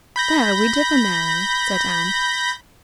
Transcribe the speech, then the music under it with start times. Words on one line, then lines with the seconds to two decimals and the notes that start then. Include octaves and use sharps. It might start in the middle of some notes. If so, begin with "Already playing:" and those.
"There we differ, Mary," said Anne.
0.16 B5 G6 A#6